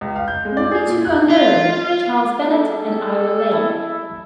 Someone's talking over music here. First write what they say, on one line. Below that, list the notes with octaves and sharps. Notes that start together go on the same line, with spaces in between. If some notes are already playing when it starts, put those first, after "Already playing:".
Only two are known: Charles Bennett and Ira Lane.
C#2
F5
G6
G#3
D5
G#4
A#2
F#6
F4
G3 G#4 A4
E4